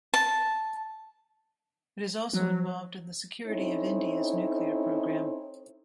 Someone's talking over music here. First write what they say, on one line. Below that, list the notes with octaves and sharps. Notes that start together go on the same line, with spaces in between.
It is also involved in the security of India's nuclear programme.
A5
F3 F#3
C4 C#4 D#4 E4 A4 C#5